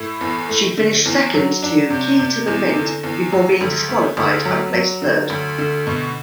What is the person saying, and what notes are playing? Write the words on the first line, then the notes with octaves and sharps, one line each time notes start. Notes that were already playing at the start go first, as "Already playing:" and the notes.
She finished second to Key to the Mint before being disqualified and placed third.
Already playing: A2 E4
E2
A3
D3
E2
F#3
D4
C3
C3
E2
D3
E2
F#3
D2
A3
D2
F#3
F#3
D3
D2
D3
B2